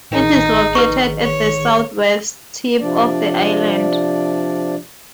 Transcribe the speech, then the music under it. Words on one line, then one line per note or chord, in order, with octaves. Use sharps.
It is located at the southwest tip of the island.
A1 D#3 D#4 G#4
B4 C#6
C#5
C3 F3 D4 D5